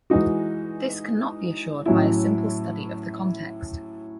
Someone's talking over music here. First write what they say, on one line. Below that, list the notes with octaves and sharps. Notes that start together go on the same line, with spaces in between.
This can not be assured by a simple study of the context.
E3 G#3 D#4 F#4
A2 F#3 C#4 E4